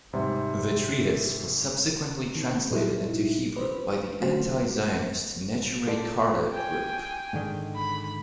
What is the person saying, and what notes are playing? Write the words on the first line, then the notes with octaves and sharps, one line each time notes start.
The treatise was subsequently translated into Hebrew by the Anti-Zionist Neturei Karta group.
G#2 C3 G3
D#3
A#2 F#3 G3 D#4 E4
B4 C5
F#3 A3 F4 F#4 C5
F4 A4 D5
G5 G#5
G#2 D3 D#3
B5